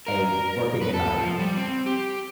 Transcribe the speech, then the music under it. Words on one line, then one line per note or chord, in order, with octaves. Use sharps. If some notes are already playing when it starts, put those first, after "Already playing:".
a working environment.
A#4
B4
A4
F3
G3
C4
G4